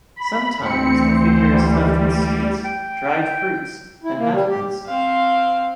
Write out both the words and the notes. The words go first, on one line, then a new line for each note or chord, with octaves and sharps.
Sometimes the figure is stuffed with sweets, dried fruits, and halfpence.
B5
D2 E3 C4 C#7
C5
G3
G5
E4
A#3
G3
G4
C4 F5